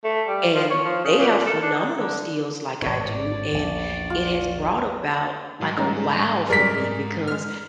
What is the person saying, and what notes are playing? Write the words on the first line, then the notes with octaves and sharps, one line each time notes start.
And they have phenomenal skills like I do, and it has brought about, like, a, "Wow," for me because
A3
G3
F3
C#5
F3
C#3
A#2
A4
D4
D#4
D3
G#1 A2 C#5 D5
A#1 E2
F4
G#2 F#3
G3 A3 C#4 D#4 A#5
G#3 G#4
F#2 F#3 G3 G#4 A#4 D5 B6
G#3 F6